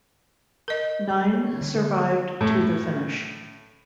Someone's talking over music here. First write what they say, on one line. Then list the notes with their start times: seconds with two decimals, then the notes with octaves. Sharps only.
Nine survived to the finish.
0.68 A#4 D#5
1.11 G3
1.34 C#5
1.61 D3 A#3
2.41 A2